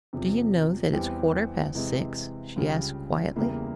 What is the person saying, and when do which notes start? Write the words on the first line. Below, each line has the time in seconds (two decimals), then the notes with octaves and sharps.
"Do you know that it's quarter-past six?" she asked quietly.
0.13 E2 C3 F3
0.93 E2 E3 G3 C4 G4
1.75 C3 E3 G#3
2.56 C#2 C#3 G3
3.36 E2 C#3 G3 A#3 E4